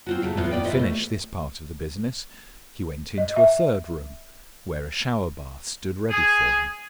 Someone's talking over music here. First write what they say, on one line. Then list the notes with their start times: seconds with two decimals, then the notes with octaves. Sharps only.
Having finished this part of the business, he went into a third room, where a shower bath stood ready for him.
0.06 C4 F4 F#4
0.22 C#3 F#3 A3
0.37 A2 B3 F4
0.51 F2 B3 D5 G5
0.64 E4 F4 B4 C5 D#5 E5
0.79 A3
3.18 D#5
3.36 E5
6.09 G#4